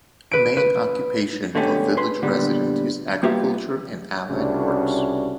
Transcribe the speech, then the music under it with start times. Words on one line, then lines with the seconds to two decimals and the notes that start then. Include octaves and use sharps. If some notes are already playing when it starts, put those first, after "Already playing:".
Main occupation of village resident is agriculture and allied works.
0.31 B4 D7
0.57 B4
1.55 B2 D3 G#3 A3 C#4 G4
1.97 G#4 B4 C6
2.23 A#2 D3 G3 B3
3.23 G3 A#3 B3 F4 G4 E5
4.31 C2 C#3 C#4 D4 F#4